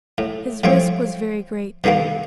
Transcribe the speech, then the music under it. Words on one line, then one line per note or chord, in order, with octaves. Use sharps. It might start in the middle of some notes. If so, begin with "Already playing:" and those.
His risk was very great.
A2
A2 F3 C4 C#5 G5
B2 D3 D#3 G3 A#3